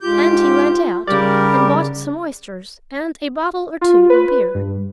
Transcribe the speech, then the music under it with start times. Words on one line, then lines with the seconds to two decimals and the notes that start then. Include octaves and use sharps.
And he went out and bought some oysters and a bottle or two of beer.
0.01 G#2 F4 G4 G6
1.07 C#3 G3 G4 A#4 D5
3.81 F4
4.10 B4
4.55 G2